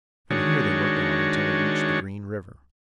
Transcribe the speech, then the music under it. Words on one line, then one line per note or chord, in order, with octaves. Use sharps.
From here they worked on until they reached the Green River.
D#3 G#3 D4 F#4 C#5